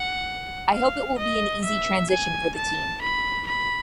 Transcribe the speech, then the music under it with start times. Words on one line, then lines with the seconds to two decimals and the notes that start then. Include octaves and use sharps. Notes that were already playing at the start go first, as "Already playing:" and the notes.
I hope it will be an easy transition for the team.
Already playing: F#5
0.73 F5
1.18 D#5
1.65 E5
2.10 G#5
2.56 A5
3.02 B5
3.47 B5